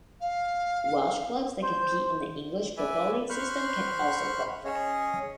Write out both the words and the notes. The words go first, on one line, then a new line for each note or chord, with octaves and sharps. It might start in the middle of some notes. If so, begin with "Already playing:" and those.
Welsh clubs that compete in the English football league system can also qualify.
F5
C5 G6
B4 D5 E5 G#5
C5 B5 C#6 F6 F#6
C#4 G#4 C#5 D#5